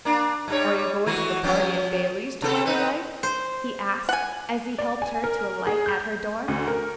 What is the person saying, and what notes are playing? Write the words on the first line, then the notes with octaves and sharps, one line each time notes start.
"Are you going to the party at Baileys' tomorrow night?" he asked, as he helped her to alight at her door.
A#3 D4
G2 G3 C#5
E3 G#3 F#4
F3 B3 C#4
C3 B3 A4
B3 D#4 B4
C5
F#5 G#5
D5
G#5
A#4
G#4
G6
D2
A#4